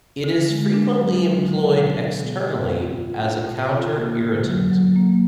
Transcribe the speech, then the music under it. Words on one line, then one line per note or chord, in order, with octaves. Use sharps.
It is frequently employed externally as a counterirritant.
D3
G#3
D4
F#3
D3
D3
B2
D4
B3
B3
F4
F4
D4
B2
F4
A#3
D3
F#3
F#3
A#3